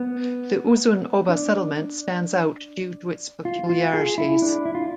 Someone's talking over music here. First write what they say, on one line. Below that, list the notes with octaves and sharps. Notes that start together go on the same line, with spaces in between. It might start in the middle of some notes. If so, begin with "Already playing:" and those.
The Uzun oba settlement stands out due to its peculiarities.
Already playing: B3
D4
F4
F4
G#4
E4
D4
E4
F4